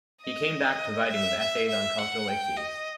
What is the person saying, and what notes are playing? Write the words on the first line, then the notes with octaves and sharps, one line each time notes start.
He came back to writing with essays on cultural issues.
D#5
E5
E5
E5
F#5
G5
D#5